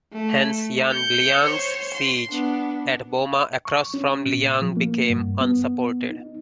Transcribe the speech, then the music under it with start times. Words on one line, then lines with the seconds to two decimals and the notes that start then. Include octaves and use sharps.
Hence Yan Liang's siege at Boma across from Liyang became unsupported.
0.13 A3
0.91 G6 C#7
1.44 C5 C#5
1.94 C6
2.31 B3 D4
3.65 C#6
3.94 C#4
4.26 A#2
4.62 F3
4.77 A#3
5.10 G2
5.41 B3
6.10 D#4